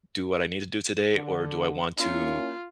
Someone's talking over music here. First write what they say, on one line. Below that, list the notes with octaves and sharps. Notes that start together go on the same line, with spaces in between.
do what I need to do today?" or, "Do I want to,
D3
A#3 C#4 E4 F4